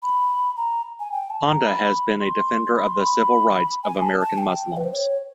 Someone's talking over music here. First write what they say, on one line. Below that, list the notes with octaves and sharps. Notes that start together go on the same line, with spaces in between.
Honda has been a defender of the civil rights of American Muslims.
B5
A#5
G#5
G5
A5
A#5
B5
C6
B5
C6
B5
G#5
A5
A5
G5
B4
C5
C#5